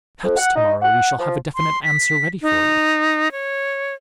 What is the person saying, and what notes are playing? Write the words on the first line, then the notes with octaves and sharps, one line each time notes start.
"Perhaps to-morrow we shall have a definite answer ready for you."
F2
F#5
D#4
F#5
F3
C6
B6
D#4
C#5